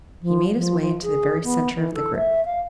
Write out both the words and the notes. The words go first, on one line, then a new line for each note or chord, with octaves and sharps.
He made his way into the very centre of the group.
F3
F3
F3
G#4
B3
E3
A4
E5
F5